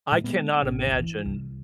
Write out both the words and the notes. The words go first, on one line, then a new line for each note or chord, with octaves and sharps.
I cannot imagine
A#2 G#3
G#3 B3
A1 B3 C#4
D1 G1
E3
C2